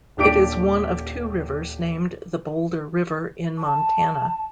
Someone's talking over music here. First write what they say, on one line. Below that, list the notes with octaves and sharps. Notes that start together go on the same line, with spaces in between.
It is one of two rivers named the Boulder River in Montana.
D#1 D4 G4 D6 D7
A5